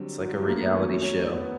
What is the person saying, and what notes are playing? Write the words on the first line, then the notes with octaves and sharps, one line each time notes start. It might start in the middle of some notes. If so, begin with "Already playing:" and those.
It's like a reality show,
Already playing: D3 F#3 G3 C4
F#3
F#3
A3
A#3
B3
F#2 D#3 F#3 A3 C#4
C#4
B3
B3